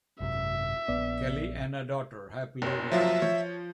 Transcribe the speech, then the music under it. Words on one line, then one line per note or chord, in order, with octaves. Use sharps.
Kelli and her daughter happily reunite.
G#1 F#2 C3 E5
A#1 B3 D5
F#1 C#5
F3 F#3 F4 E5
F3 C#5